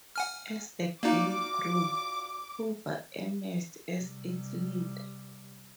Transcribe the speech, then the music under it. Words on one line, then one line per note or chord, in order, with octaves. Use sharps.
As the gang grew, Hoover emerged as its leader.
F#5 G#5 F6
A#3 D#4 F4 F#4 D5 D6
C3 G3